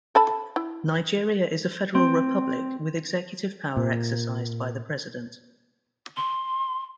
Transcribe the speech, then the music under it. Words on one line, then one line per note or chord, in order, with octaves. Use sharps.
Nigeria is a federal republic, with executive power exercised by the president.
A4 A5 B5
E4
C4
A#2
C6